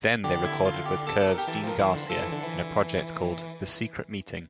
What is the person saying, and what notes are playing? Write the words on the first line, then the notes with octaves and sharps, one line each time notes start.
Then they recorded with Curve's Dean Garcia in a project called "The Secret Meeting".
D3 G4
E4
F4
G4
A4
A4
A#4
G4
E3 A4
F3 A#4
E3 C5
D3
F3 A4
E3
D3
E3